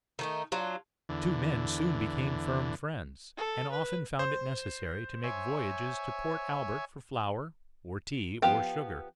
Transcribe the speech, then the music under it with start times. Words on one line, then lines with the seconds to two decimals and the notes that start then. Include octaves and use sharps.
The two men soon became firm friends, and often found it necessary to make voyages to Port Albert for flour, or tea, or sugar.
0.19 D#3 A3 D#4
0.52 F#3 D4 F4
1.09 E2 D3
3.37 A4
3.72 B4
4.19 C5
5.24 C#5 E5 G#5
8.42 F3 B3 G4 F5 G5